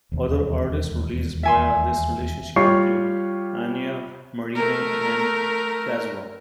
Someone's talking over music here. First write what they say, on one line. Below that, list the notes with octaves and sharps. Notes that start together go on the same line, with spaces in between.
Other artists released via this relationship include Anya Marina and Cazwell.
E1 D#2
E5 G#5 C6
G3 F4 G4 C#5 C#6 C7
A3 A#4